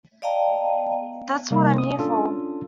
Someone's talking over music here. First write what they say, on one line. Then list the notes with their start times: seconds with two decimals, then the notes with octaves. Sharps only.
That's what I'm here for.
0.22 D5 D#5 F5 G5 A5 A#5
1.51 C3 G3 A#3 D#4
1.78 D#6
1.97 C#4 D4 F4 A4